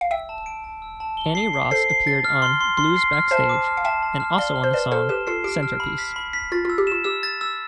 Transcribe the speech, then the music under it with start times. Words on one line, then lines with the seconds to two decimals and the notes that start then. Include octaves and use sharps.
Annie Ross appeared on "Blues Backstage" and also on the song, "Centerpiece".
0.01 F5
0.11 E5 G5 E6
0.29 A5
0.46 D7
0.64 A5
0.82 E6
1.00 A5
1.17 G7
1.35 C7
1.53 C7
1.71 A4 C5 C7
1.90 C7
2.07 A6
2.25 F6
2.42 C6
2.61 C6
2.77 C6
2.96 C7
3.13 F6
3.31 C5 E5 A5
3.49 D6
3.66 F6
3.77 F5
3.85 E5 G5 A5
4.03 A5
4.20 F6
4.38 D5 F5 G7
4.56 F6
4.64 C5
4.73 B4 D5 E7
4.91 A4 C5 F6
5.09 G4 B4 E7
5.27 F4 A4 C7
5.44 G4 D7
5.63 F6
5.80 B5
5.98 B6
6.16 B5
6.33 B6
6.52 F4 A6
6.65 F4 E6
6.78 G4
6.87 F4 E7
7.04 G4 E6
7.23 A6
7.41 E6